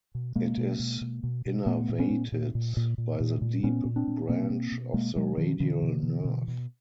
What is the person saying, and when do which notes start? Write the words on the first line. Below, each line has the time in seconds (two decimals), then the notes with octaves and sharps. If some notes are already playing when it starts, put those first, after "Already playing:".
It is innervated by the deep branch of the radial nerve.
0.15 B2
0.35 B2 G#3 A#3
0.57 B2
0.80 B2
1.01 B2
1.23 B2
1.46 B2
1.66 A#2 A3 B3
1.89 A#2
1.99 B3 C#4
2.10 A#2
2.32 A#2
2.55 A#2
2.77 A#2
2.98 A#2
3.20 A#2
3.42 A#2
3.63 A#2 B3 C#4
3.85 A#2
3.96 C4 D4
4.07 A#2
4.29 B2 A#3 C4
4.50 B2
4.72 B2
4.94 B2 G#3 A#3
5.16 B2 F#3 G#3
5.38 B2 D#3 F3
5.60 B2 D3 E3
5.82 B2
6.03 B2
6.25 B2
6.48 B2